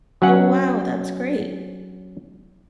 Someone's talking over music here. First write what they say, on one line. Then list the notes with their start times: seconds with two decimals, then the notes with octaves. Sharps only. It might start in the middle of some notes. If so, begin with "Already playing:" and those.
Oh, wow. That's great.
0.22 F#3 C#4 F#5